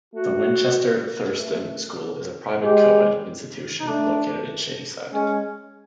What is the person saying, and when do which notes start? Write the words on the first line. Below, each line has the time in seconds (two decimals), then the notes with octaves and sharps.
The Winchester Thurston School is a private co-ed institution located in Shadyside.
0.14 A3 F#4
1.39 A3
2.62 G#3 G4
3.79 D#4
3.88 A3 D4
5.12 G#3 C#4